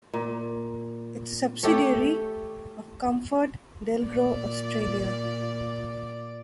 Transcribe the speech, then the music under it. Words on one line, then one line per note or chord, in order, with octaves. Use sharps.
It is a subsidiary of ComfortDelGro Australia.
A#2
A3 G4 A4 C#5
A#2 D5